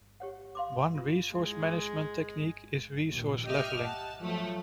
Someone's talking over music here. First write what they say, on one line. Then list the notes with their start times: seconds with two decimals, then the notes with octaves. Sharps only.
One resource management technique is resource leveling.
0.20 G4 C#5 F#5
0.55 F5 C6 D6
0.95 F4
1.34 G#3 E4
3.07 A#1 D#2
3.46 G4 D#5 E5 F6
3.81 F#5 A5
4.19 F3 F#3 A3